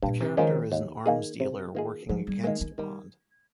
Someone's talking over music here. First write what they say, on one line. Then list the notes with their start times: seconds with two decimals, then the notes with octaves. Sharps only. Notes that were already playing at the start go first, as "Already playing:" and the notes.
The character is an arms dealer working against Bond.
0.02 G2 A#2
0.20 C3
0.37 D#3 F3 G#3 C#4
0.72 D#2
1.06 D#3 A#3 D#4 G#4
1.40 C3
1.75 D#3 A#3 F4 G#4
2.09 G#2 F3
2.27 G3
2.43 D#3 G#3 A#3
2.61 G#3
2.78 D#3 G3